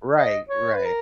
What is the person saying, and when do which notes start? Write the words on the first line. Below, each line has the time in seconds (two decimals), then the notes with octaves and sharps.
Right, right.
0.14 D#5
0.49 C#5
0.74 B4
0.84 A#4